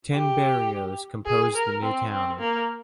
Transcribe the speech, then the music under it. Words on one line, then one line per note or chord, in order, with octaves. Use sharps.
Ten barrios composed the new town.
G4
G#4
A#4
C4
C4
A#3